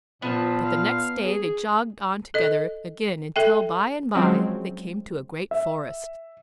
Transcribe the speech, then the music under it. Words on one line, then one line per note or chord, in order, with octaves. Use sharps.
But the next day they jogged on together again until by-and-by they came to a great forest.
A#2 F3 B3 A5
F5
G#4
A4 D#5
A4 E5 G5
F3 F#3 G#3 C4 C#4
E5